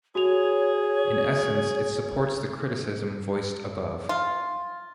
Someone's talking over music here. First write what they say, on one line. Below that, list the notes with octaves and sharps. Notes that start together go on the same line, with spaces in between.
In essence it supports the criticism voiced above.
F#4 G#4 C#5 F7
F4